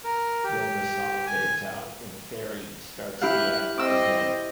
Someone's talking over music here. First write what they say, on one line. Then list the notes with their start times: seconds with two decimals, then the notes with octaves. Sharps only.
Then the song fades out and Ferry starts the act again.
0.04 A#4
0.44 G4
1.27 G#5
3.21 E4 G4 F5 F#6
3.78 C4 D#5 D6 E6